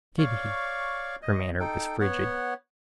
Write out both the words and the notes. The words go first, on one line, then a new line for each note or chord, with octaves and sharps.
"Did he?" Her manner was frigid.
C#5 D5 F5 C#6
D#5
D#4 A4 G5
B3 C#5 F#5